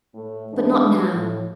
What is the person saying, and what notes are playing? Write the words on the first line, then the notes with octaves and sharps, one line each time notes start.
But not now.
A2 A3
G#2 E3 G#3 D4
A2